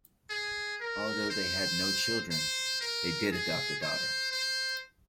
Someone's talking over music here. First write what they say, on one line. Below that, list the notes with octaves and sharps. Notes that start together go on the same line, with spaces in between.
Although they had no children, they did adopt a daughter.
G#4
A#4
C5
C5
A#4
G#4
C5
C5